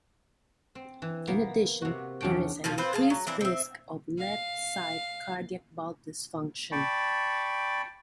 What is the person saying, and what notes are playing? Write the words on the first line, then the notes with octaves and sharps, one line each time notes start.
In addition, there is an increased risk of left-sided cardiac valve dysfunction.
C4
E3
A#3 B3
C3 F#4
E2 C#3 D4 C#5 G5
B2 D#3 F3 F4
C4 F4 B4 C5
G#4 F5 A5
F#3
E3 C4 D4 E4
C4 E5
F5
D5 G5 A5 B5 C#6